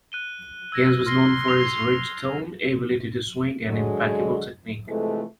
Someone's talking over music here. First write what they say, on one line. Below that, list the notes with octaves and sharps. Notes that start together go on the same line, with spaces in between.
Getz was known for his rich tone, ability to swing and impeccable technique.
F#6 D#7 G7
E6 G#6 A#6
C6 F6 A#6 G7
C7 F7 G7
D3 F#3 G#3
C3 E3 F3 G#3 A3